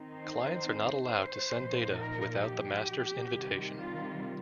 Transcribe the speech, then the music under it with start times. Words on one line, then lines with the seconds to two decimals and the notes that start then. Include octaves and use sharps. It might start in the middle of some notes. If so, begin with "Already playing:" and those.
Clients are not allowed to send data without the master's invitation.
Already playing: D#3 C4 D#4
0.17 C5
1.07 C5
1.52 A#2 F3 D#4
1.97 A#4
2.42 G4
3.32 C3 D#3 G3
3.77 F4